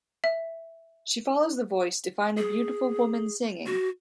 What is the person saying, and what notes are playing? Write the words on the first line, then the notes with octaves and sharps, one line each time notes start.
She follows the voice to find a beautiful woman singing.
E5
G#4
F#4